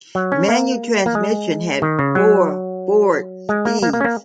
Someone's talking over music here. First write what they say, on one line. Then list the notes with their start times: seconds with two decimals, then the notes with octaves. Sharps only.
Manual transmission had four forward speeds.
0.15 F#3
0.32 C#4
0.48 A#3
1.06 A#3
1.15 G#3
1.82 D#3
1.99 C#3
2.15 F#3
3.49 G#3
3.65 A#3
3.83 A#3
3.93 A#3
4.01 C#4
4.04 A#3